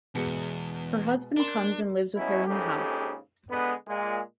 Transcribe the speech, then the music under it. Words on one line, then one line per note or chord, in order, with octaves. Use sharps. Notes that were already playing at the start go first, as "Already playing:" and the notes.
Her husband comes and lives with her in the house.
E2 B2 G#3 C#7
D4 A#4 C6
B2 F#3 C#4 E4
A#1 G#2 C#3 G4 A4
D3 G#3 B3
A#2 G#3